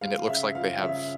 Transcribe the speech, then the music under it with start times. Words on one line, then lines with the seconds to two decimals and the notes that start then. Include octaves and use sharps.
and it looks like they have
0.01 G#3 F5
0.28 C#3 E5
0.55 F3 F5
0.82 C#3 E5